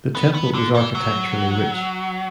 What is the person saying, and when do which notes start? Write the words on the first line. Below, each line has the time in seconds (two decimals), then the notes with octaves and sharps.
The temple is architecturally rich.
0.15 B3
0.34 B3
0.54 D3
0.75 E3
0.95 F#3